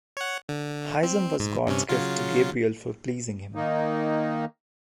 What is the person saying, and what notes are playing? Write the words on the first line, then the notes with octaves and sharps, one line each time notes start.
Haizum was God's gift to Gabriel for pleasing Him.
C#5 F#5
D3
C4
G#2
G2 C3 C#4
C#3 F#3 F4
D#3 A#3 D#4